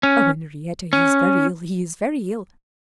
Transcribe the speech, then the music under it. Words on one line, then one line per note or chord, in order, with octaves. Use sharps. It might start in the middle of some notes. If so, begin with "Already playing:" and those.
Oh, Henrietta! he is very ill--he is very ill!
C#4
C#4